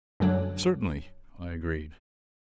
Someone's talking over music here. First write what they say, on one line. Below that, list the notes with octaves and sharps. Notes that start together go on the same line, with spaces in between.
"Certainly!" I agreed.
F#2 D3 F#3 D4